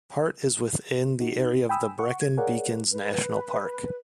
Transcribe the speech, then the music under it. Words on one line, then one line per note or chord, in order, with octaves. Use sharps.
Part is within the area of the Brecon Beacons National Park.
D#4 F#4
G5 G#5 B5 D#6 E6
F#5 C#6
G#6
G#4 A#4 C#5 D5 F5 F#5
B4